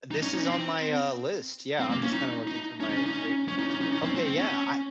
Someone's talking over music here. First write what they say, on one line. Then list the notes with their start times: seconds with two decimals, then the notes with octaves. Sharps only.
This is on my, uh, list. Yeah, I'm just kinda looking through my rate my music li Okay, yeah, I
0.12 D#4
0.23 C#4
0.34 D#4
0.45 C4
1.80 C4
1.90 A#3
2.03 C#4
2.13 D#4
2.47 D#4
2.80 C#4
2.89 D#4
2.97 C#4
3.06 D#4
3.14 C#4
3.48 C#4
3.59 D#4
3.70 C#4
3.81 D#4
3.93 C#4
4.04 C4
4.15 C4
4.27 C4
4.38 C#4